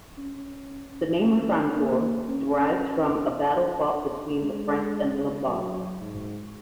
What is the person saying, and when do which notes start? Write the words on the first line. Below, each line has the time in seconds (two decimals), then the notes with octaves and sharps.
The name Refrancore derives from a battle fought between the Franks and Lombards.
0.17 C#4
1.23 C#4
1.76 A#3
2.29 C#4
4.41 G#3
5.48 F#3
6.01 G#2